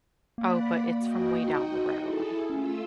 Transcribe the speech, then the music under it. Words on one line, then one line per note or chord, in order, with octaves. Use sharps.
Oh, but it's from way down the road.
A#3 D5 F#5 B5
F#4 D#5 G5
D#4
E4 G#4 A4
A3 C#4 F4 E6